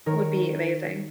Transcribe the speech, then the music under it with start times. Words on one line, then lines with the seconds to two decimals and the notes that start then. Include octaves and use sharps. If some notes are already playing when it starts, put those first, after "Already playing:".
would be amazing.
0.06 D#3 A#4 C#5